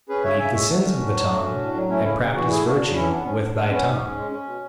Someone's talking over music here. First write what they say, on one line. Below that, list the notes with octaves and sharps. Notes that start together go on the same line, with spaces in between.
Leave the sins of the tongue, and practise virtue with thy tongue!
C#4 G#4 B4
C#3 C#5 E5
C#3 E5 G#5
G#3 C#5 E5
A3 D4 F#4
C#4
A2
F#3
A3
C#4
A2
F#3
A3 C#4 E4
C#3 C#4 E4
C#3
E3 D4 F#4
A3 E4 G#4
C#3 D4 F#4
C#3 D4 F#4
E3 C#4 E4
B3 D4
G#2 C#4
G#2 D4
G#3 D4
B3 C#4
G#2
G#2
G#3
C#4
B2